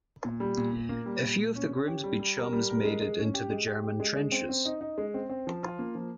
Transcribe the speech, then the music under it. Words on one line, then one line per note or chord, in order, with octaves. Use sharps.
A few of the Grimsby Chums made it into the German trenches.
A#2
G3
A#2
A#2
A#3
G3
A#2
A#2
C#4
C#4
G4
G3
G3
A#4
G3
A#4
G#3
G#3
C#4
G4
G#3
G4
G4
G#3
G#3
C4
C4
D#4
D#4
G#3
C4
C4
F3
F4
A#3
F3